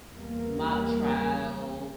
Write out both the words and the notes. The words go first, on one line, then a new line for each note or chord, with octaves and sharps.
mock trial,
E2 G3 A#3